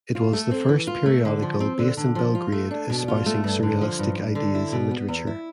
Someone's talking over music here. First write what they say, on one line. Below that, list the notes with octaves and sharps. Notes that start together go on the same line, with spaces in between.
It was the first periodical based in Belgrade espousing surrealistic ideas in literature.
F4
A3
C4
E3
F4
A3
D3
F3
C4
D3
D3
F3
F4
A3
D4
B2
F4
A3
G2
D3
F3
G2
G2
D3
E4
B2
B3
E2
E4